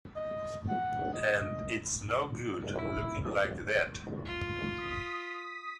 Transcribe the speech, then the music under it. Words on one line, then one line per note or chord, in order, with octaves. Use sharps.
And it's no good looking like that.
D#5
F#5
D#5
E4
F4
D#6 B6